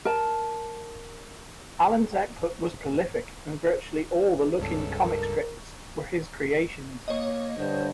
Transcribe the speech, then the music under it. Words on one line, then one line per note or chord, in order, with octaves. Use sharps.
Allan's output was prolific, and virtually all the Look-In comic strips were his creations.
A#4 A5
A2 C#3 E3
C#2 G2 G#3 B3 C#4 A4
A#4
A#3 C#5 D#5
G2 D3 C5